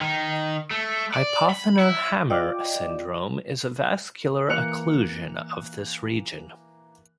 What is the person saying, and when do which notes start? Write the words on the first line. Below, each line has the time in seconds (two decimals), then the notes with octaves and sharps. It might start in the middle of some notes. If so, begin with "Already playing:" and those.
Hypothenar hammer syndrome is a vascular occlusion of this region.
0.01 D#3
0.71 A3
1.14 D5
1.50 B5
1.79 E4
2.30 F4 D5 D#5 G5 D6
4.48 E3 A#3 A#4 F#6 C#7 F7